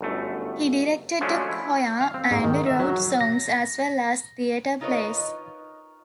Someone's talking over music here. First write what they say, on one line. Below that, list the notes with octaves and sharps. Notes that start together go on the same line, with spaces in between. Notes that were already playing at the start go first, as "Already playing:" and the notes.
He directed a choir and wrote songs as well as theater plays.
G1 F#2 A3
F3 F#3 G#3 A3 C#4 D4
E4
F5
C4
G#2
D#3
E5
F#3
A#6
D#4 F4 A#4 B4 C#5 D#5